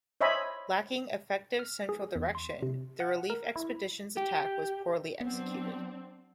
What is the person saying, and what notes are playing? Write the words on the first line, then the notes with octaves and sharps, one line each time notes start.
Lacking effective central direction, the relief expedition's attack was poorly executed.
C5 C#5 D#5 E5 G#5 B5
F6
G#4
E2
C6
C3
F#5
A#4
E4
G4
F#3 B3 C4 D4